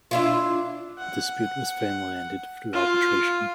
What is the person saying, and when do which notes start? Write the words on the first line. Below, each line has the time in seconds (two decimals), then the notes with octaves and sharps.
The dispute was finally ended through arbitration.
0.11 D4 E4 F4
0.99 F#5
2.73 F4